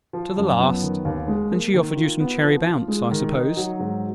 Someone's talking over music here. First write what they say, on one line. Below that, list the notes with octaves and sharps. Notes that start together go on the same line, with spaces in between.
"To the last! and she offered you some cherry-bounce, I suppose."
F3
F#2
B3
D#3
D#2
G#3
A#3
D#3
F4
B3
F3
F4
G#3
D#3
D#4
F#3
G#2